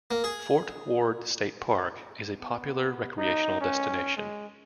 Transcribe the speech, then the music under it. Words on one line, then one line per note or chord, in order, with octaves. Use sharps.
Fort Ward State Park is a popular recreational destination.
A#3
G#4
B3
D#4
C#4
G#3